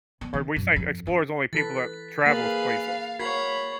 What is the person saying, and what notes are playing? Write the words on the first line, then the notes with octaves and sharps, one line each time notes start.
Or are we saying explorers only people that travels places.
B3
D#3
F#2
F2
C#4
E3 A4 B4 A6 B6
A#3 G#4 A#4 B4 F5 A6
F#4 A#4 C#5 B5 G#6 B6 C7